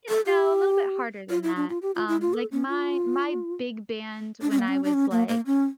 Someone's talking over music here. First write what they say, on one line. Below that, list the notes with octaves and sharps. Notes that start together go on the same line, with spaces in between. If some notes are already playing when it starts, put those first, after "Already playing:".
you know, a little bit harder than that, um, like, my my big band when I was, like,
A4
G4
F4
E4
D4
F4
G4
F4
E4
F4
A4
C#4
F4
D4
C#4
A#3
C#4
D4
C#4
A#3
A#3
C#4